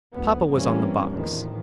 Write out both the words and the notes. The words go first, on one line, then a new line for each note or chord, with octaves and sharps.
Papa was on the box.
F#1 D2 B3
G2 E3 G3 A#3 C4 C#4
E2 A2 D#3 F3